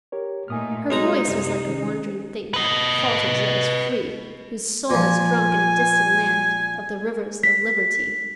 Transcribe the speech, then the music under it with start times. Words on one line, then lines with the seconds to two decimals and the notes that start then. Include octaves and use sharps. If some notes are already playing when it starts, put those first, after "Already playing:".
Her voice was like a wandering thing That falters yet is free, Whose soul has drunk in a distant land Of the rivers of liberty.
0.12 G4 A#4 C#5
0.48 A#2 A3 D#4 G#5 D#6 F6
0.91 B1 G#3 D#4 A#5
1.28 C2 F#2 C3
1.68 D#3 C#4
2.54 B4 D#5
4.90 A#2 F3 G#5
7.43 B6